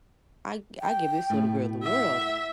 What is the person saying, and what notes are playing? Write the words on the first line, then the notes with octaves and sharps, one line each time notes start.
I I give this little girl the world,
G5
A2
E5 F#5